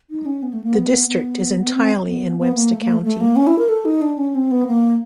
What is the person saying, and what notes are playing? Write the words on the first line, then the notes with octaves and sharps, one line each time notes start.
The district is entirely in Webster County.
D#4
C#4
B3
A3
A#3
B3
B3
B3
C4
B3
B3
A#3
A3
A#3
A3
A3
A#3
C#4
E4
A#4
A4
D#4
D4
C#4
C4
B3
A#3